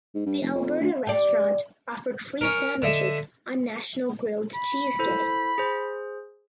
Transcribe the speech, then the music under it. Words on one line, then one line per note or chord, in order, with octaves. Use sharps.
The Alberta restaurant offered free sandwiches on National Grilled Cheese Day.
G#2
G2
F1
F2
D2
G4 D5
C#4 A#4
D3 D#5 E5
B5
E4 A4 C5
G#4 C5